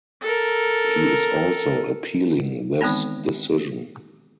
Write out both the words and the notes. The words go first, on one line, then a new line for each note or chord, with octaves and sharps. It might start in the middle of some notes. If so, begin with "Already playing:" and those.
He is also appealing this decision.
A4 A#4
D#3 E3 G#3 B3 C4 D#4